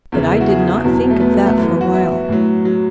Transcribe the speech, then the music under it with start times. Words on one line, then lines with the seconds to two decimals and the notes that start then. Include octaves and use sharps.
But I did not think of that for a while.
0.12 E2 C#3 E3
0.33 E4
0.41 F#4
0.48 G#4
0.84 E2 B2 F#3
1.10 A3
1.20 B3
1.33 A3
1.46 A3
1.58 F#2 E3 B3
1.81 F#4
1.94 E4
2.29 A2 F#3
2.65 F#3